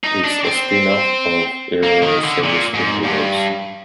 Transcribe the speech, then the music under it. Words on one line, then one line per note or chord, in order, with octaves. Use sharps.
It is a spin-off of the earlier series Fingerbobs.
D#4
D4
C4
A#3
D#3
D3
A#2
G#2
G2